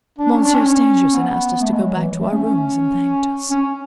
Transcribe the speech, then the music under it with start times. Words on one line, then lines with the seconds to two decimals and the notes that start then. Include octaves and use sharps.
Monsieur Stangerson asked us to go back to our rooms and thanked us.
0.18 D4
0.31 C#4
0.42 D4
0.54 C#4
1.14 B3
1.61 A3
1.73 G#3
1.84 F#3
1.96 E3
2.20 A3
2.32 C#4
2.44 C#4
3.50 C#4